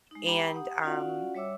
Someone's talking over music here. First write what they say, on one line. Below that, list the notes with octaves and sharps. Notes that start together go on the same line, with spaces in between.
and, um,
G#3 D#4
G4 G5 A#5 B5 D6
G4 F#5 D#6
C#4 F4 F#4 D5 F5 F#5
G3 C#5 E5 D6 E6